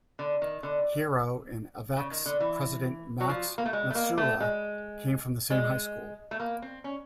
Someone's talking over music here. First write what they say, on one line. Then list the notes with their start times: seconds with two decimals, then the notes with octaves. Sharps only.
Hiro and Avex's president Max Matsuura came from the same high school.
0.19 D3
0.42 D#3
0.63 D3
1.96 C#3
2.11 D#3
2.26 D3
2.40 E3
3.20 F#3
3.29 F3
3.58 A#3
3.65 A3
3.73 G#3
3.90 A3
3.95 A#3
4.18 A3
4.40 G#3
5.50 G#3
6.31 A3
6.40 A#3
6.62 C4
6.84 C#4